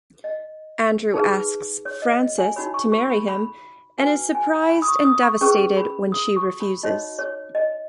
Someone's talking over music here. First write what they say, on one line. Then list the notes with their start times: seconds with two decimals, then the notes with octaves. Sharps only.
Andrew asks Frances to marry him, and is surprised and devastated when she refuses.
0.24 D#5
1.14 D#4 G#4 B4
1.85 C#5
2.02 D#5
2.20 D#5
2.38 G#5
2.56 D#4 F#4 C#5 B5
2.74 C#6
2.92 C#6
3.10 B5
3.28 B5
3.98 F#4 B4 G#5
4.35 G#5
4.70 B5
4.82 D#6
4.88 C#6
5.05 D#6
5.23 C#6
5.41 C#4 G#4 B4 C#6
5.77 B5
6.12 D#6
6.36 C#6
6.60 B5
6.83 D#4 F#4 C#5 D#5
7.19 C#5
7.55 D#5